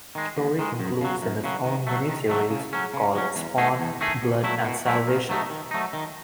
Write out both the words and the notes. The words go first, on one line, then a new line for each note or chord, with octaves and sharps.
The story concludes in its own miniseries, called "Spawn: Blood and Salvation".
D#3 G#3
D#2
D#3 G#3
F#2
C#3 F#3
F#2
C#3 F#3
D#3
F#3 A3
D#3
F#3 A3
C#3
F#3 C#4
C#3
F#3 C#4
E2
D#3 A3 D#4 G#4
E2
D#3 A3 D#4 G#4
B2
F#3 A3 E4
B2
F#3 A3 E4
D#3
F#3 A3 D#4
D#3
F#3 A3 D#4
D#3